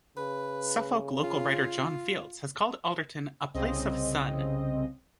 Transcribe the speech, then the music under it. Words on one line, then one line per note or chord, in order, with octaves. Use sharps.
Suffolk local writer Jon Fields has called Alderton "a place of sun".
C#3 B4
F4
C2 C#3 C4 D#5